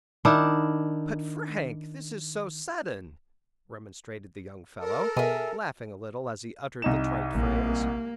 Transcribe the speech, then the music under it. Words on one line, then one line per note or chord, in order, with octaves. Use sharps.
"But, Frank, this is so--sudden," remonstrated the young fellow, laughing a little as he uttered the trite phrase.
D#3 D4 E4
A4 A#4
B2 G#4 E5
C2 D#4 E7
A#1 A#3